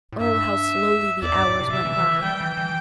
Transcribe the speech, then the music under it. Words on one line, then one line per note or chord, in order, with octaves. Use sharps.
Oh, how slowly the hours went by!
A2
G2 E5
E2 D5
G2
A2
C3
C3 E5
E3
E3
E3
G3 G5
E3
E3